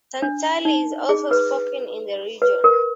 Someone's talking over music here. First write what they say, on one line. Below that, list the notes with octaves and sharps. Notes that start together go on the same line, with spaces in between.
Santali is also spoken in the region.
D4
D#4
G#4
B4
B4
A#4